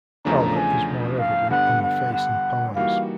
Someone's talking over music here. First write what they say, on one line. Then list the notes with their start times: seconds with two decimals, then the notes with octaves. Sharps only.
Pallor is more evident on the face and palms.
0.25 E2 C#3 F3 A3 D4 A#5
0.56 G#5
1.19 F5
1.50 G2 D3 G3 B3 F#5
1.82 F#5
2.13 F#5
2.75 E3 G3 A#3 D#4 F#4 F5